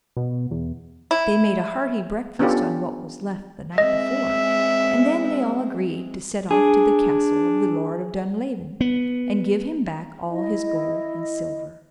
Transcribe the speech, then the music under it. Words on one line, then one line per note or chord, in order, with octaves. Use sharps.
They made a hearty breakfast on what was left the night before, and then they all agreed to set off to the castle of the Lord of Dunlavin, and give him back all his gold and silver.
B2
E2
E4
B3 C#4 D4 F4 G4 A4
G#3 C4 D#5 E5
D4 G#4
B3
E4 D#5